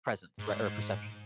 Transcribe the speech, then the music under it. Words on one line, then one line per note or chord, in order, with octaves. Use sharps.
presence, right, or perception
G#2